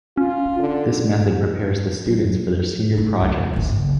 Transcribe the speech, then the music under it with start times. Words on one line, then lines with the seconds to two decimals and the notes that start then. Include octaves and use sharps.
This method prepares the students for their senior projects.
0.17 C#4 F4
0.59 D3
2.06 F#3
2.97 G2 A3
3.21 C#2 F#2
3.54 G1 D#2
3.71 F#1